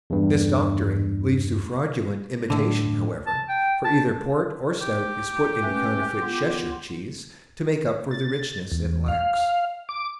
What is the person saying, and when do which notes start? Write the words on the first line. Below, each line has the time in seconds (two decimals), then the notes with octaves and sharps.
This doctoring leads to fraudulent imitation, however, for either port or stout is put into counterfeit Cheshire cheese to make up for the richness it lacks.
0.10 E2 G2
2.50 A2 D3
3.26 A5
3.49 G5
3.84 A5
4.81 G4
5.63 A3 C#4 B4
6.22 B3 F4
8.11 A6
8.72 E2
9.08 F5
9.89 D6